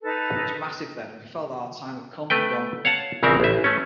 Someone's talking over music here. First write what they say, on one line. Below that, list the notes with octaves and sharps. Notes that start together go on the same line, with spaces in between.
Punk was massive then and we felt that our time had come and gone.
D#4 A4 B4 A5
A3 B4 G5
C#5 F5 F#5 A5
A#1 C#3 E3 C4 A#4 E5
A1 E5
A3 C#4